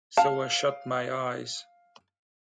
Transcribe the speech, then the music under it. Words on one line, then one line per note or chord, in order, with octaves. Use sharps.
So I shut my eyes.
F5 A5